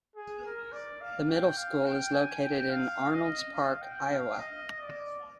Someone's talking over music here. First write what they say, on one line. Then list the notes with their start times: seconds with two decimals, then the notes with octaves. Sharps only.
The middle school is located in Arnolds Park, Iowa.
0.16 G#4
0.45 A#4
0.72 D5
1.01 F5
1.29 G5
1.58 F5
1.86 G5
2.13 G#5
2.42 G5
2.70 F5
3.13 D#5
3.54 F5
3.82 G5
4.11 F5
4.39 D#5
4.81 D5